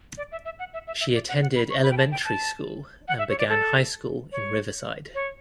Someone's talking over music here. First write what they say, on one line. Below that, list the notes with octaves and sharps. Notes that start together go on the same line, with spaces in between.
She attended elementary school and began high school in Riverside.
D5
E5
E5
F#5
E5
E5
E5
D5
F#5
F#5
B5
C#6
B5
G5
A5
G5
A5
F#5
E5
C#5
D5
A4
C#5
C#5